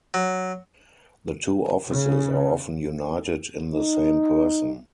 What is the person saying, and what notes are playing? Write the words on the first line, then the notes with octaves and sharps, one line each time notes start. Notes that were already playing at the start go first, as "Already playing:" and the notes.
The two offices are often united in the same person.
F#3
C#3
D#4